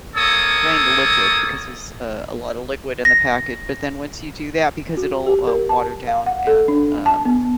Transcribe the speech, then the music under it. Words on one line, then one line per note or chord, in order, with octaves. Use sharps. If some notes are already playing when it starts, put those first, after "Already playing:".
drain the liquid because there's, uh, a lotta liquid in the package, but then once you do that because it'll, uh, water down and, um,
A#3 A4 C#5 D#6
A#6
F#4
G4
A#4
A5
F5
F#5
A4
D4
A5
B3